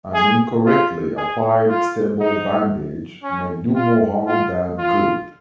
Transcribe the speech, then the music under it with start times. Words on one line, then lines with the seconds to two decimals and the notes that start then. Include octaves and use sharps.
An incorrectly applied stable bandage may do more harm than good.
0.14 G#4
0.66 F4
1.17 G#4
1.69 F4
2.20 D#4
3.23 C#4
3.75 F4
4.27 F4
4.78 F4